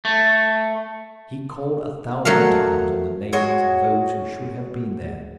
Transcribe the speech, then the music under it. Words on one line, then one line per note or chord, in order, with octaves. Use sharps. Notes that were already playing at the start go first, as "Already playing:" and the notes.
He called a thousand times on the names of those who should have been there.
A3
F#3 A3 A#4 F5
G#3 F#4 C#5